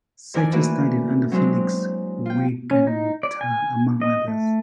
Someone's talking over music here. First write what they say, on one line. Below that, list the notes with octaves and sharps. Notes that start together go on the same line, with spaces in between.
Sacher studied under Felix Weingartner, among others.
F2 A#4 D5 G#5
A3 A#3 E4 F#4 B4
F#3 G#3 C4 D4
F4 G5
C#4
D#4
D5
G#5
D#5
A3